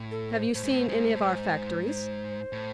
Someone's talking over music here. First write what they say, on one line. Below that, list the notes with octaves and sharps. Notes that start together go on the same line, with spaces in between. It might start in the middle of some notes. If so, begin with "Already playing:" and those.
Have you seen any of our factories?
Already playing: A2
A4
C5
A2 C5
G#2
A2
G#2
A2
G#2
C5
A2